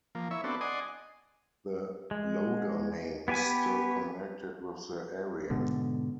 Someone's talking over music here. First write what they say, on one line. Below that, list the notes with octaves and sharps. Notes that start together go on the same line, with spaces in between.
The Loder name is still connected with the area.
F3 A#3
E4 C#5 E5
B3 C4 D4 F#4 A4
D5 D#5 F#5 G#5 C6 D#6
G#3
B3 G4 B4 G#5
G#2 B2 D3